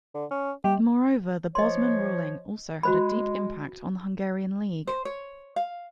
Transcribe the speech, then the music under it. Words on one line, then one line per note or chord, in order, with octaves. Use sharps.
Moreover, the Bosman ruling also had a deep impact on the Hungarian League.
D3
C#4
G3 G4
F3 C#5 D#5 C6
G#3 F#4 C5 B5
C5
C#5
F5